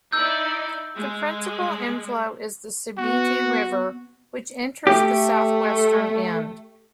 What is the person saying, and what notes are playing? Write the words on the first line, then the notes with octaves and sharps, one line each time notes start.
The principal inflow is the Sibiti River, which enters the southwestern end.
D#4 E4 D5 E6 G6
G#3
B3 F#4
A3 G4